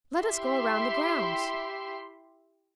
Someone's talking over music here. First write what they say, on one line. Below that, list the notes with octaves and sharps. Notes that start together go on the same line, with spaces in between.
"Let us go around the grounds."
E4 G4 E5 C6